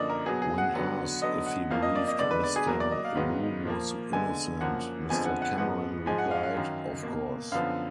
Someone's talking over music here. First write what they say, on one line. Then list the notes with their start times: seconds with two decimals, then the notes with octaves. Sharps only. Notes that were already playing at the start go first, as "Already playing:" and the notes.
When asked if he believed Mr Lew was innocent, Mr Cameron replied: of course.
Already playing: F#2 D3 F3 A#3 D5 D#5
0.10 A#4
0.26 B2 F#3 B3 G#4
0.42 G#4
0.58 F#5
0.74 D3 F#3 B3
1.22 D3 F#3 B3 D#5
1.46 F#5
1.70 F2 F3 A#3 F5
1.82 D#5
1.96 D5
2.08 D#5
2.19 D3 G#3 B3 D5
2.31 B4
2.44 D5
2.56 G#4
2.67 B2 F#3 A#3 A#4
2.80 D5
2.91 D#5
3.05 F5
3.15 G#2 D#3 F#3 B3
3.65 A#2 F3 A#3
4.12 D3 G#3 B3 G#5
4.61 F#2 F3 A#3 F#5
5.09 F2 D3 F3 G#3 B3 G#5
5.25 F#5
5.42 F#5
5.58 G#2 F3 G#3 B3 F#5
6.06 G#2 F3 G#3 G#5
6.18 F#5
6.31 F5
6.43 F5
6.55 F#2 D#3 F#3
7.03 B2 A#3
7.52 F#2 D3 F3 B3 F5